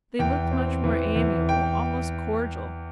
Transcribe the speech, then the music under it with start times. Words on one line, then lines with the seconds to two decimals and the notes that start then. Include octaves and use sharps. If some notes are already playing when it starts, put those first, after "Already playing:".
They looked much more amiable, almost cordial.
0.19 E2 G5
0.52 C4
0.84 E3
1.16 E2
1.49 G5